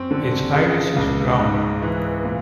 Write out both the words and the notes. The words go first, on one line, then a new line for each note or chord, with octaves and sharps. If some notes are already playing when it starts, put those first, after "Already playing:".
Its iris is brown.
Already playing: F#2 C4
D3
C#3
C#2
G#2
E3
A#2